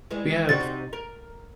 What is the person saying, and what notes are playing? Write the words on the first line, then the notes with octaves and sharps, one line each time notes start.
We have
E3 G#3
C3 D#4 F#4 A6
A#4